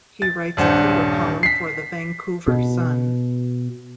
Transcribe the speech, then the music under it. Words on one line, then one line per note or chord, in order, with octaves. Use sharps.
He writes a theatre column for "The Vancouver Sun".
A6
D#1 G2 C5 F#5
B6 C7
B2